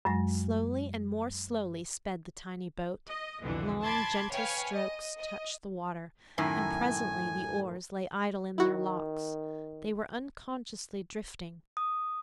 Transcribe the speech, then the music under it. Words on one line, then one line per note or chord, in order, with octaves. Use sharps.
Slowly and more slowly sped the tiny boat; long gentle strokes touched the water; and presently the oars lay idle in their locks,--they were unconsciously drifting.
F#2 F#3 G#3 A#6
D#5
C2 F2 B2 D3 E3
A5 B5 C6 D6 G#6
B4 C#5 F5 G5 G#5
D#5
D#5
F#2 A2 D#3 G#5
D#3 E4 F#4
D#6